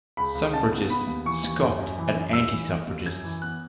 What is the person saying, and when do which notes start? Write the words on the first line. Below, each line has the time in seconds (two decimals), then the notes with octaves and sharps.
Suffragists scoffed at antisuffragists.
0.17 C#2 B5
0.35 C#2
0.53 C#3 A5
0.72 B3
0.90 B3 B5
1.07 D#2
1.25 E3 C#6
1.44 D#2
1.61 F#2
1.79 F#2
1.98 E3
2.15 F#2
2.33 D#2 E6
2.52 E3
2.70 E1
2.87 D#2
3.05 F#2 G#6
3.24 E3
3.42 B3 F#6